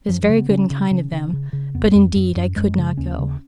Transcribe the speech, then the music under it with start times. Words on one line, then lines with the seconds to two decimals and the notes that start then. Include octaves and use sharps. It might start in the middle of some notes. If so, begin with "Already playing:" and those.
It is very good and kind of them; but indeed I could not go.'
0.08 F#2 F3
0.23 F#3
0.29 C#3
0.37 B3
0.50 C#3 C#4
0.70 C#3
0.91 C#3 C#4
1.12 C#3
1.33 C#3
1.53 C#3
1.75 F2 B3
1.95 F2
2.15 F#2
2.36 F#2
2.56 F#2 G#3
2.78 C#3
2.97 D#2 C#4
3.19 C#3